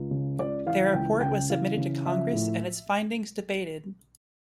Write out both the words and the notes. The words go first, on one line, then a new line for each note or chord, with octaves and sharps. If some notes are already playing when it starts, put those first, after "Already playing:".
Their report was submitted to Congress and its findings debated.
Already playing: C#2
C#3
C#2 D5
E3 F5
C#2 G5
C#3 G5
E3 F5
C#3
F3 E5
A2